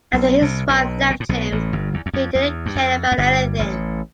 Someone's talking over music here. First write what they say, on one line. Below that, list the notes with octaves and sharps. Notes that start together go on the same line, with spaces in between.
After his wife left him, he didn't care about anything.
B1 B2
C2 C3
B1 B2
B2
A2
B1 B2
A1 A2
G1 G2
E2
E2
F2
E2
G2
F2
F2
G1 G2
A1 A2